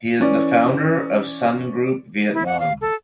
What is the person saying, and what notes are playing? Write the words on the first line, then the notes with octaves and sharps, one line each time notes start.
He is the founder of Sun Group Vietnam.
E3 C#4 D5
E4
F#5
F5
A4